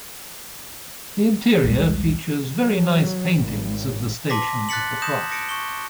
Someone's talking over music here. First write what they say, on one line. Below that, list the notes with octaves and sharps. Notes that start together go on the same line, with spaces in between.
The interior features very nice paintings of the stations of the cross.
A#1 D#2 G3 G#3
F#3
G#1
A5 C6 D6 A#6 B6
F#6 A6 B6 C#7 F#7
D#6 G6 A#6 E7
A#6 C#7 D7
C#6 G7